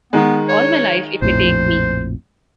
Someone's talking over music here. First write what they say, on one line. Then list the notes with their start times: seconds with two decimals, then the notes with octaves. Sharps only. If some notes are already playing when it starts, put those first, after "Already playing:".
All my life it may take me!
0.13 D#3 G#3 B3
0.49 C#5
1.22 A#1 F2 A2 C5